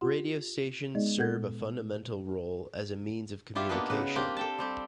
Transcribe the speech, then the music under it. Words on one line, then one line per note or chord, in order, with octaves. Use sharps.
Radio stations serve a fundamental role as a means of communication.
F4 G4 F#5 C6
G#3 B3 D#4 G#4 D5 D#5
A#2 B3 A4 F#5 G6 G#6
E4 F4 G4 D5 E5
A#3 B3 D4 D#4 F4 B4
C#3 F#4 B4
A#3 C4 D4 F4 G4
A4 G5 A5
G3 C4 G4